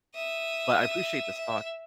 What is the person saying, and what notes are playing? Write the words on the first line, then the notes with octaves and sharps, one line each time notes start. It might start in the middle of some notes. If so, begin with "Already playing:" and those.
but I appreciate this talk.
E5 D#6
E5